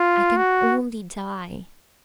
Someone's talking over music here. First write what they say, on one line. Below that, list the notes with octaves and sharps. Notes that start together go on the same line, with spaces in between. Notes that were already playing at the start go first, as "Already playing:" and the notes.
"I can only die."
Already playing: F4
F#4